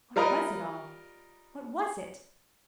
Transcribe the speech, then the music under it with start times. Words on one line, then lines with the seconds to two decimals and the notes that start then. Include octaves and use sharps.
What was it all--what was it?
0.16 G3 F4 A#4 B4 D#5